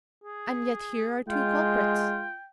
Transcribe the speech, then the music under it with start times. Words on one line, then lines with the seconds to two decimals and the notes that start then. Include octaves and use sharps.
"And yet here are two culprits."
0.24 G#4
1.28 G#3 F4 G5